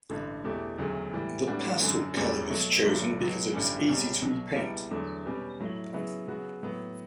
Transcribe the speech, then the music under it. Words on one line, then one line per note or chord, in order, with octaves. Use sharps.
The pastel colour was chosen because it was easy to repaint.
A1 G2 D3
E2 B2 A3 E4 G4
E1 D2 C#3 F#3 A3
A2 E3 G3
A2 G3 B3 D4 F#4
F#2 D3 F#3 C#4
E1 E2 C#3 G3 C#4
B2 F#3 A3
G1 G2 F#3 A3
C#2 B2 F#3 B3
A1 G2 D3 G3 C#4
C#2 B2 G3 C#4
B1 B2 F#3
C#2 B2 G3 B3 E4
E2 D3 F#3 A3
B2 G3 C#4 G4 B4
A2 F#3 A3 E4
C#3 F#3 B3 E4
C#3 F#3 B3 F#4
A2 F#3 B3